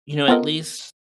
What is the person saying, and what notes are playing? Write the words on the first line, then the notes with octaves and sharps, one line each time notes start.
you know, at least
B3 C4 F4 A4 A#4 D#5